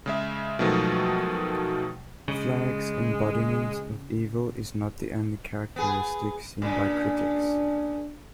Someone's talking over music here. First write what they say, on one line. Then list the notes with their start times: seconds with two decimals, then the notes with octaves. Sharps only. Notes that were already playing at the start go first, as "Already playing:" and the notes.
Flagg's embodiment of evil is not the only characteristic seen by critics.
0.06 C#3 G#3 E5
0.59 B2 D#3 F3 F#3 G#3 A3
2.28 C#3 G#3
5.76 B3 G#4
6.62 A#2 C#3 D4